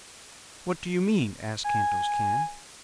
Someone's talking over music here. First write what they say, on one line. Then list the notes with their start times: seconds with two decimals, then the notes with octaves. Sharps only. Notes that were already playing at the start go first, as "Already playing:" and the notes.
"What do you mean?" asked Kantos Kan.
1.64 G#5